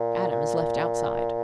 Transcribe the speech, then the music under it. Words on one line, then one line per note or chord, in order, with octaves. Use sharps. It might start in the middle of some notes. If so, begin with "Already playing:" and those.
Adam is left outside.
Already playing: A#2
A#2